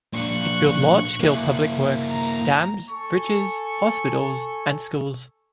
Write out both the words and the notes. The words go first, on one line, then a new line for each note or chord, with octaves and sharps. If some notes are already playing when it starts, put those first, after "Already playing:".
It built large-scale public works such as dams, bridges, hospitals, and schools.
A#2 D4 C#6 F#6
A#3 E4
A#5
A4 G#5 C#6